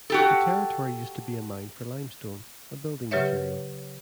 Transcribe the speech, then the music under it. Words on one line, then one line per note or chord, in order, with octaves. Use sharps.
The territory used to be a mine for limestone, a building material.
F#4 G4 A4
C#3 F#3 G4 B4 C#5 E5